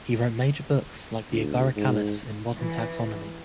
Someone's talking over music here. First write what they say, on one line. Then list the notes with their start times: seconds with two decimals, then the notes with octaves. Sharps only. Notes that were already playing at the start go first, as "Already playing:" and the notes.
He wrote major books like "The Agaricales in Modern Taxonomy".
1.32 D2
1.76 G#2
2.57 E3